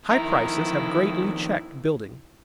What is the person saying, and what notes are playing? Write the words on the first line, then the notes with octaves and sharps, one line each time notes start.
High prices have greatly checked building.
F2 D#3 E4 A#5